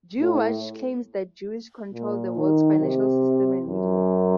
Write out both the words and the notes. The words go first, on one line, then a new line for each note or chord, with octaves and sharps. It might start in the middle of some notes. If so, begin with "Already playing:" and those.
Jew Watch claims that Jews control the world's financial systems and media.
A2
A#2
D#3
C3
F#2